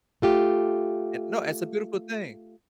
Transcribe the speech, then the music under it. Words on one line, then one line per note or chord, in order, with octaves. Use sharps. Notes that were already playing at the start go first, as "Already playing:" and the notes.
Eh, no, it's a beautiful thing,
A3 F4 G4